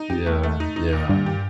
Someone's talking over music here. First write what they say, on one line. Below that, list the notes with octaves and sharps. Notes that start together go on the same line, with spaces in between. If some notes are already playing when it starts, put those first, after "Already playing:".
Yeah, yeah, and
Already playing: D#4
G4
A3
A3
D#4
D#4
A#2
G2 A#2
G4